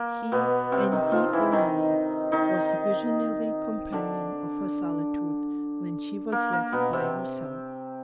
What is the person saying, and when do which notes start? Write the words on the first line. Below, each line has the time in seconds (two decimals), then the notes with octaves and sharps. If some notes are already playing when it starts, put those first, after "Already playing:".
He, and he only, was the visionary companion of her solitude when she was left by herself.
Already playing: A#3
0.32 B2 B3
0.72 C3 C4
0.92 D#3 D#4
1.12 F3 F4
1.33 E3 E4
1.52 D#3 D#4
2.32 D#3 D#4
3.92 D3 D4
6.32 A#3
6.53 A#3
6.72 B2 B3
6.93 C3 C4